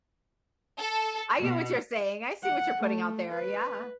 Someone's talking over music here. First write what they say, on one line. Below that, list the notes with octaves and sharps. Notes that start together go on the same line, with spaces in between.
I get what you're saying, I see what you're putting out there, yeah.
A4
B2
F#5
A3
B4